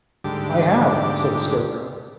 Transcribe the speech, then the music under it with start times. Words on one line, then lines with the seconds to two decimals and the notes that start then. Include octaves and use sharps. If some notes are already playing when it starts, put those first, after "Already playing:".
"I have," said the Scarecrow.
0.24 D2 G#2 D3 G3 G4 D6